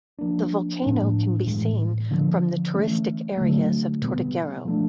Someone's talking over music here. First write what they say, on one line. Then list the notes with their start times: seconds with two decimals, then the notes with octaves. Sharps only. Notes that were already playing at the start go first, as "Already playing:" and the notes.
The volcano can be seen from the touristic areas of Tortuguero.
0.19 F3 A#3 D4
0.82 A2 F3 A#3 D4
1.46 A2 E3 G#3
2.11 D3 F3 A3 D4
2.74 E3 A3 C#4
3.37 D3 F#3 A3
4.02 B2 G3 B3
4.65 F3 A3 D4